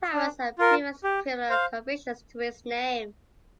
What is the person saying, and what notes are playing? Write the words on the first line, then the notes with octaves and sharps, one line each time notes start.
Thomas had previous criminal convictions to his name.
D4
F4 A#4
G4
C5 F5